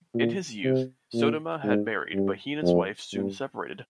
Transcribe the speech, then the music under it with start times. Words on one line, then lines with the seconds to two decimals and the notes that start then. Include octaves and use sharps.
In his youth, Sodoma had married, but he and his wife soon separated.
0.14 A#2
0.64 C3
1.14 A#2
1.64 G#2
2.13 G2
2.62 F2
3.13 G2